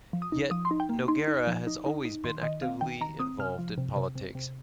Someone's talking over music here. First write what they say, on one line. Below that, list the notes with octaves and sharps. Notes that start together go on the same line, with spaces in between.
Yet, Nogueira has always been actively involved in politics.
F3
D#6
D#4
F3 D#6
C6
D#4
G5
A#3
D#4 C6
D#4
F3
D#4
D#4
D#4
D#3 C6
D#3 D#5
C4 F5
D#3 G5
D#3 A#5
C4 D#6
C3 F6
F3
C3
C3
C3
C3